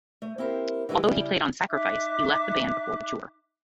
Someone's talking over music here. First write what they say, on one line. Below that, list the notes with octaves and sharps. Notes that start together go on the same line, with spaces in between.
Although he played on "Sacrifice", he left the band before the tour.
A3
A#3 C4 E4 G4 A#4 C5
E3 F#3 G#3 B3 G4
C#3 G3 E4 G4
D#4 E5 D6 F#6